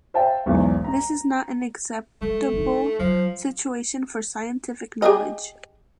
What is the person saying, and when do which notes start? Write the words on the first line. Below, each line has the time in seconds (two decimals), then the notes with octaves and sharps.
This is not an acceptable situation for scientific knowledge.
0.14 C5 E5 F5 G5 A5
0.46 B1 E2 G#2
0.84 A#5
2.21 G#3 A3
2.52 C4 D#4
2.99 F3 F#3
5.02 G4 G#4 D#5